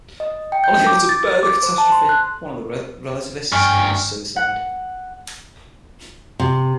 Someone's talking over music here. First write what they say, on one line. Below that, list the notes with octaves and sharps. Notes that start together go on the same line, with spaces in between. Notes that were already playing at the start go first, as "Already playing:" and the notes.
Unable to bear the catastrophe, one of the relativists commits suicide.
D#5
G5
G6
D6
A6
D6
C5
A5
C6
F#6
D2 G2 G5 G#5 C#6 F6
F#5
C3